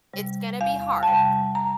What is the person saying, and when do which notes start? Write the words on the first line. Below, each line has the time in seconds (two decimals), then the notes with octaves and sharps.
It's gonna be hard.
0.13 C3 G3
0.61 E2 F5
1.03 A5
1.07 C3 G3 G5
1.55 A#5